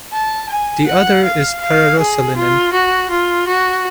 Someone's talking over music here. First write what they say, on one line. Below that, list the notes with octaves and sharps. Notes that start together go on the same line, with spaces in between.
The other is pararosaniline.
A5
G#5
F#5
F5
F5
G#4
F4
F#4
F4
F#4